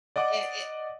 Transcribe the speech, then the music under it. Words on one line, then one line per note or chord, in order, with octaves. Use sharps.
and and
D5 D#5 F#5 D6